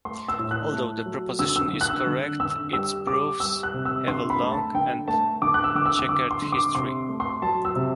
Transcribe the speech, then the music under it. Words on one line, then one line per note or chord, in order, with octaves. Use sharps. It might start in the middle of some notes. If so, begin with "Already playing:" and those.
Although the proposition is correct, its proofs have a long and checkered history.
A3 C6
E6
A2
F#6
A3
F#3
D3 E6
E6
D3
F#6
E6
D3
D3 E6
G3 E6
G3 D6
G3 E6
F#6
C3
E6
D3 C6
B5
A3
A5
D3 G5
A3 A5
D3 D6
F#6
E6
D3 D6
E6
E6
D3 D6
C6
D3
D6
C3 C6
A3
C6
F#3 A5
E6
C3